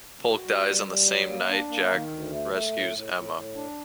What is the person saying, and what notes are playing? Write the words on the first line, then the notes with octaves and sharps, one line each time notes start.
Polk dies on the same night Jack rescues Emma.
F#4
G3
G3
G3
F#3
A#3
D4
A#3
D#3
D2
A3
A3
A2
A2
A2
A2
D4